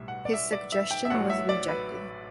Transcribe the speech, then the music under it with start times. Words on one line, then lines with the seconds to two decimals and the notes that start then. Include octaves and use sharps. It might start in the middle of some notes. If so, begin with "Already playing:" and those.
This suggestion was rejected.
Already playing: B1 A2 G3 E5
0.08 F#5
0.25 D5
0.34 E5
0.52 D5
0.72 E5
0.91 G5
1.05 E5
1.10 A1 A2 F#3 F#5
1.30 E5
1.49 D5
1.68 B4